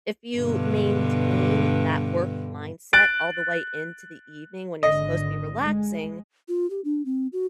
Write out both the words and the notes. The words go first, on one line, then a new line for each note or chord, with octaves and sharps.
if you maintain that work mindset all the way into the evening when you're supposed to be relaxing,
G2 B2 D3
F#6 A6 D7
G#1 D3 D#5
G#3
F4
G4
D4
C4
F#4